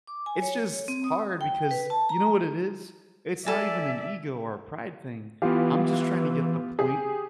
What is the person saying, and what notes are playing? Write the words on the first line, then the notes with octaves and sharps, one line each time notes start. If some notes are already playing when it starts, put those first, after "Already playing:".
It's just hard because, you know what it is? It's not even an ego or a pride thing, I'm just trying to get the point
D6
G#5
C#5
C4
D#6
G5
B4
A5
A#5
A4 D5 E5 G#5
E3 B3 F4 G4 F5
G4 G#4